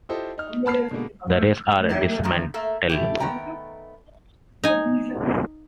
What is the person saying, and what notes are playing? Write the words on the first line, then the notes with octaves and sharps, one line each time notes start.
The rest are dismantled.
E4 F4 G4 A4 C5 D#5
D#4 F6
F#5 A5 B5 F6 C7
B2 D3 G#3 A#3 B3
D#4 E4 G4
F#2 D#3 A3 A#3 D4
A3 A#3 E5
E3 A3 G4
D#3 A3 B3 G5 A#5
D#4 G#5